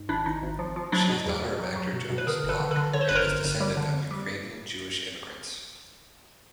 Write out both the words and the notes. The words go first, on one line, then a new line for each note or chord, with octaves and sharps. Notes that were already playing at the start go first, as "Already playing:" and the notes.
She is daughter of actor Jonas Bloch, and is descendant of Ukrainian Jewish immigrants.
Already playing: G#2
G#1 D4 E4
G#1 D#4
G#1
F3
F3
F#3 D4 E4
B2
E2
B2
F#3
F#3
B2
B2
B4
D3 G#4 A#4
G1
A4 B4
D3
A4 B4
D3
D3 C#5
C5
G1 B4
A#4 C5
G1
G1
G3
D3
F2
G3